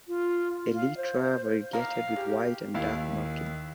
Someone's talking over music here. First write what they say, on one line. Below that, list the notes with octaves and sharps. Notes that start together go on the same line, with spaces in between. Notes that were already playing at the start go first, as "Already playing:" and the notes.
Elytra variegated with white and dark markings.
F4
F5
C5
A#3 D#4 A#4 F5
G#3 G4
D#2 E4 F5